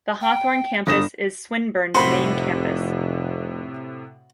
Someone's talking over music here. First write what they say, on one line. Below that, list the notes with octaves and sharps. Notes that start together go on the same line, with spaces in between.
The Hawthorn campus is Swinburne's main campus.
G5
G1 D#6 A#6 E7
F1 A2 C3 F#4 B4 C5 B5 C6